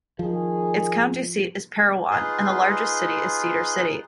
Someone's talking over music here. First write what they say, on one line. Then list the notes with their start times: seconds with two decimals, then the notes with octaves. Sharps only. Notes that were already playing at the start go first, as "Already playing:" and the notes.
Its county seat is Parowan, and the largest city is Cedar City.
0.19 D#3 F3 G#4
2.11 D#4 F4 G#4 B4 C6